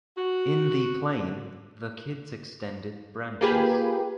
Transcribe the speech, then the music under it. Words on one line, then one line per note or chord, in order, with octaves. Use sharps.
In the plain, the kids extended branches.
F#4
A#3 F4 G4 G#4 B4